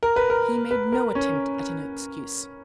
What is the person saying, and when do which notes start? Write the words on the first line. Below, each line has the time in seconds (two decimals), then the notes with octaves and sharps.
He made no attempt at an excuse.
0.03 A#4
0.16 B4
0.30 A#4
0.71 B4
0.92 A#4
1.15 C#4